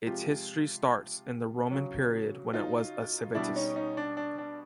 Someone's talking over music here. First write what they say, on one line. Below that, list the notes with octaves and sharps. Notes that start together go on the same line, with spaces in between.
Its history starts in the Roman period when it was a civitas.
C3 F3 G#3 F4 G4
C#3 F#3
D#4 F4
B2 G3 D4 E4
C#4 D#4
C#4 D#4
D4
D4
D4